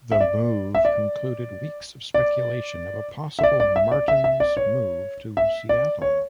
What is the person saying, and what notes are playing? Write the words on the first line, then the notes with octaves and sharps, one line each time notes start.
The move concluded weeks of speculation of a possible Martins move to Seattle.
E5
D5
E5
D5
D5
E5
D5
D5
E5
D5
E5
E5
D5
C#5
E5
D5
C#5